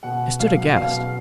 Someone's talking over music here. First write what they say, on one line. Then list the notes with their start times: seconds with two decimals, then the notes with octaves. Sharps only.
I stood aghast.
0.03 B2 F#5
0.40 F#3 F5
0.76 B2 F5